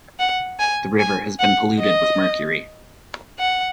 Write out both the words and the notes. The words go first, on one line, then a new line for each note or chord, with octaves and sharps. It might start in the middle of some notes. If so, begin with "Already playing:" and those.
The river has been polluted with mercury.
F#5
G#5
G#5
F#5
D#5
F#5